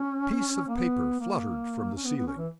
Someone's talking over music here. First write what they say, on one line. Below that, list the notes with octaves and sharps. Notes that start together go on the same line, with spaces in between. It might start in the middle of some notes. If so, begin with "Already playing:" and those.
A piece of paper fluttered from the ceiling.
Already playing: C#4
A#3
B3
A#3
C#4
B3
B3
C#4
E3